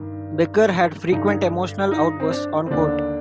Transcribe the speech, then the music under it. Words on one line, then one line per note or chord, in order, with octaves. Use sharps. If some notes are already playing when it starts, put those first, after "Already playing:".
Becker had frequent emotional outbursts on court.
Already playing: G2 D#3
G2 D3 D#4
D#4
C4
D4
C4
D#2 D3 D4